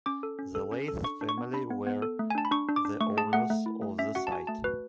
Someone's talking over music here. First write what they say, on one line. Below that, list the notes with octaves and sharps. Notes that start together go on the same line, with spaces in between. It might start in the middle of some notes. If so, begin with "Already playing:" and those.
The Leith family were the owners of the site.
C#4 D6
A4
C#4
A4
C#4
A4
D4 C#6
D4
C#6
B3
D4 B5
B3
B3
A4
A3
G#5
D4 A5
B5
D4 C#6
D4
D6
D4
A3 C#6
G#4 A5
A3 F#5
A3
E4
A3
C#4 E5
F#4 F#5
A5
F#4 G#5
A3 A5
F#4 B4